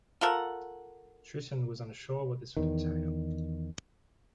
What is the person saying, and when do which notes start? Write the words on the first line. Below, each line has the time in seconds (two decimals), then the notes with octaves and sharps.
Tritton was unsure what this would entail.
0.21 F4 A4 A#4 F#5
2.57 E2 D#3